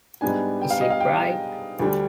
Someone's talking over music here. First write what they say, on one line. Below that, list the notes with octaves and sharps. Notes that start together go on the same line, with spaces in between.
Is it bright?
G#2 G3 B3 D4 G#5
G5
F5
D#5
F5
G5
D2 D3 G3 D4